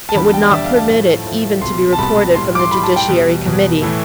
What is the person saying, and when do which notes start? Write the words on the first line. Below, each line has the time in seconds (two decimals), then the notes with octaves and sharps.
It would not permit it even to be reported from the Judiciary Committee.
0.09 A5
0.15 E2 D3 G3 B5
0.25 A5
0.34 G5
0.42 D5
0.51 E2 D3 G3 E5
0.64 F5
0.76 A5
0.89 A2 F3 A3
1.25 A2 F3 A3
1.61 C2 B2 G3 C6
1.93 A5
1.98 C2 B2 G3 B5
2.35 A2 G3 C6
2.55 D6
2.59 C6
2.71 A2 G3 B5
2.83 A5
2.96 G5
3.08 E2 B2 G3
3.45 E2 B2 G3
3.82 A2 E3 A3